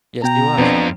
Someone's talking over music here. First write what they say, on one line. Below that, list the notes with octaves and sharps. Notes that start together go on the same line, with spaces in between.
Yes, he was.
B2 G5 A#5
F2 B3 C4 D4 F4